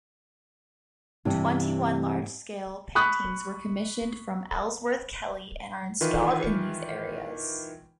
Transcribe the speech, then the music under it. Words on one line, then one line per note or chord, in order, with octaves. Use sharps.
Twenty-one large-scale paintings were commissioned from Ellsworth Kelly and are installed in these areas.
G2 C3 E3
B5 C#6 D#6 F#6
D#3 E3 F4 B4